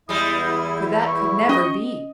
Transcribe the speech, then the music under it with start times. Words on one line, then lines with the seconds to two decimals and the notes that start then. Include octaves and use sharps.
For that could never be.
0.09 E2 G3 G#3 E4 D#6
1.07 C#6
1.49 C#4 D#5